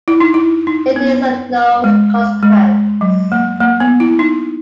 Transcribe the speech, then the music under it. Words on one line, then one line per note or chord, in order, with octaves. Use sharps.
It is of no consequence.
E4
D#4
E4
D#4
B3
G#3
G#3
F#3
A#3
A#3
B3
E4
D#4